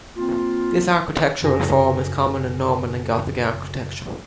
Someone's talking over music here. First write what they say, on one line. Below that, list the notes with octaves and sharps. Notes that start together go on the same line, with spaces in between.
This architectural form is common in Norman and Gothic architecture.
A#3 C4 F4
F#2 C#3 F#4 A4 G#5 A#6